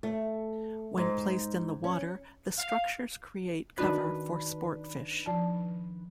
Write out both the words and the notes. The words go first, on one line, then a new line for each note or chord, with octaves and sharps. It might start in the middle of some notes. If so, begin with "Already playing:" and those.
When placed in the water, the structures create cover for sport fish.
A3
G#2
C#4
F5
D#3 D4 F#4 B4
F3 A5